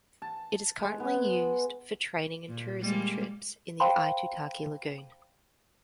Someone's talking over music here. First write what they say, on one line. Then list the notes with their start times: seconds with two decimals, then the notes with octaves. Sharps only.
It is currently used for training and tourism trips in the Aitutaki lagoon.
0.22 A5
0.83 G#3
1.00 B3
2.49 A#2
2.81 G3 G#3 A#3
3.80 C5 F5 G5 A5 B5 C6